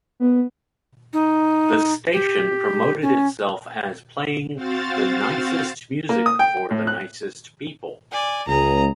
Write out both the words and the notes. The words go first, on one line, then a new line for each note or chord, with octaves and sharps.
The station promoted itself as playing The Nicest Music for the Nicest People.
B3
D#4
G4
C#4
C4 F#4 C5 F5 A6
A#3
D#6
G5
A2
F#6
D5 G#5
C#2 G#4 A#5